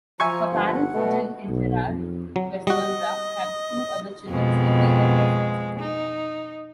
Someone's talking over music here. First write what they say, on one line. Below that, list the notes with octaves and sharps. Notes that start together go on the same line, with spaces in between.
Her parents, Jill and Gerald Westenra, have two other children, Sophie and Isaac.
F3 E5 G#5 A#5 C#6
G1 F#5
B2 A3
B1
F2
F#3
G3 F#4 D#5
F2 B2 G#3
D#4